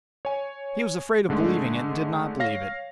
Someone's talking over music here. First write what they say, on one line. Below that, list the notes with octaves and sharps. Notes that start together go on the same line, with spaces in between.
He was afraid of believing it and did not believe it.
C#5 G#5
G#2 D3 G#3 A3
C#5 F5 A#6